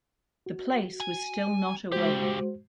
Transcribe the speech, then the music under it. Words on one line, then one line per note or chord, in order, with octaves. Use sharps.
The place was still not awake.
F#4
G#5
C#2 G#3 F#4 G4 C5